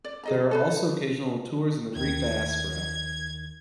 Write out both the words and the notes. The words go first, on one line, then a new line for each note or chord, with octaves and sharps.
There are also occasional tours in the Greek diaspora.
D5
G#4 D#5 A#5
A4 B4 C5
D#2 D#3 G#6